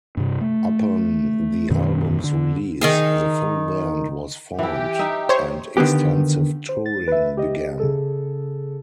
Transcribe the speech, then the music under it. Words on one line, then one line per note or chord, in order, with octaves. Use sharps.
Upon the album's release, the full band was formed and extensive touring began.
G2 C3
A3
F#2 B2 D#3
D3
D#3 D#4 G#4
E3 E4 G4
D#4 E5
C5 C#5
D3 D#3 B3 G4
C5
A6
B4 E5
G4 D#5
C#3 G#4 A4